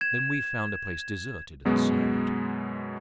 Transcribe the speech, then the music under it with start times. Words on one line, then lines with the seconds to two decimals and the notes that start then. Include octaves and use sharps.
Then we found a place deserted and silent.
0.01 G#6 E7
1.65 F#2 B2 G#3 B3